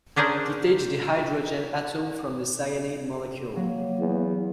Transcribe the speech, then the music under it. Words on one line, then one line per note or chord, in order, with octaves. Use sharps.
Detach the hydrogen atom from the cyanide molecule.
C#4 D4 G#4 A#4 C5
F#3 A#3
E2